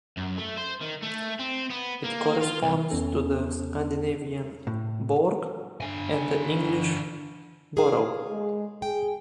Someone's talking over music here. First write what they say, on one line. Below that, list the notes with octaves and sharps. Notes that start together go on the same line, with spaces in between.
It corresponds to the Scandinavian "Borg" and the English "Borough".
F#2
A3
C5
D#3
A3
C4
B3
A#3
F4
C2
E2 B3 C#4 A4
A2
D3 G#5
G#4 F5
G#3
G#4 G5